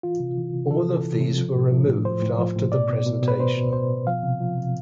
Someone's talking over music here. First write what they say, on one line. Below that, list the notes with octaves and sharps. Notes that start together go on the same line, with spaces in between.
All of these were removed after the presentation.
E3 F4
C3
E3
C3
E3 A4
C3
E3
C3
F3
A2
F3
A2
F3 C5
A2
F3
A2
B2 D5
B2
B2
B2
B4
B2 C5
B2
B2 C5
B2
F3 F5
C3
F3
C3